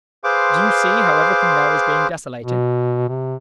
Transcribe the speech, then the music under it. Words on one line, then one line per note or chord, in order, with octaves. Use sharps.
Do you see how everything there is being desolated!
G#4 B4 C5 F5 C6 D6
B2
C3